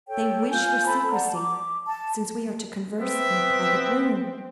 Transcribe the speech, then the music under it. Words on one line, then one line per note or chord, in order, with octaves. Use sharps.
They wish for secrecy, since we are to converse in a private room.
A4 C#5 G5
F4 G#5 G6
A4 C5 A5 B5
D5 F#5 A5 A#5
D6
A5
B3 C4 E5